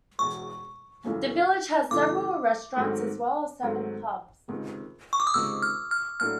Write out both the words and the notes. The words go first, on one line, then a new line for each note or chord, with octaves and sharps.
The village has several restaurants as well as seven pubs.
E1 E2 B2 C#6
F#2 C#3 E3 A3 C#4
F#2 C#3 E3 A3 C#4 D6
G#2 D#3 F#3 A3 C4
G#2 D#3 F#3 A3 C4
C#2 C3 D#3 G#3 C4
C#6
D6
D#6
C#2 C3 D#3 G#3 C4 E6
F6
F6
A2 F#3 A#3 D4 F6